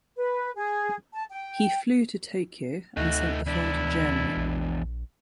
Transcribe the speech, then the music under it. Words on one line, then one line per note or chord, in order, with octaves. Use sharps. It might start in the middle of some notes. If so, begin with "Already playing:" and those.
He flew to Tokyo and sent the film to Germany.
B4
G#4
A5
G5
D2 A3 D#4 F#4
E2 D4 E4
A#1